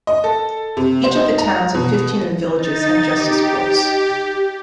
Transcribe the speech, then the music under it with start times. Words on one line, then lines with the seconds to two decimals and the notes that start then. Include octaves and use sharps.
Each of the towns and fifteen of the villages have Justice Courts.
0.07 D#5
0.24 A4
0.77 C3
1.04 C5
1.15 D#4
1.38 A#5
1.75 B2
2.54 D#4 A6
3.13 G4